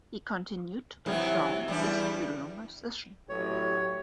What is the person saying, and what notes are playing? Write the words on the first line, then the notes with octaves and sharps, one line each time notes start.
He continued to perform as a studio musician.
C3 E3 F#3
E2 G3 D4
A1 A2 F#3 G4 C#5